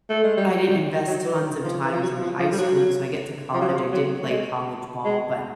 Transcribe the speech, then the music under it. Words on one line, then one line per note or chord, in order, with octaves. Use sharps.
I didn't invest tons of time through high school, so I get to college I did play college ball, but
A3
G#3
G3
F#3
G3
F#3
E3
F3
E3
F3
F#3
F3
F3
G3
F#3
F3
F#3
F3
F#3
A3
G#3
G#3